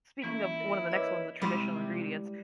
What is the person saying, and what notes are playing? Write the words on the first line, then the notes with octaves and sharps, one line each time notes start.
speaking of one of the next ones, the traditional ingredients.
E3 A#3 C#4 E4
A#4
A#4 B4 C#5 D#5 D6 E6
C3 G3 G#3 E4 D5 C6 D6